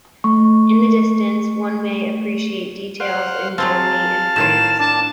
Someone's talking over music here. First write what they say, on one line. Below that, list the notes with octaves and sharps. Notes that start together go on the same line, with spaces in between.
In the distance, one may appreciate details in Germany and France.
A3 C#6
C5 F5 F#5
F#3 G#3 C4 F5 A5
A2 D#3 F4 E7
D4 A5